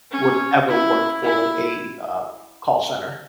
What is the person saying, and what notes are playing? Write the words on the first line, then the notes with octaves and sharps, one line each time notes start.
would ever work for a, uh, call center.
C#4
E4
E4